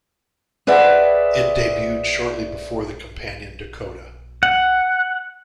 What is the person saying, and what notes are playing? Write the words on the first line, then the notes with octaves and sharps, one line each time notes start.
It debuted shortly before the companion Dakota.
G#4 B4 C5 D5 E5 F#5
F#5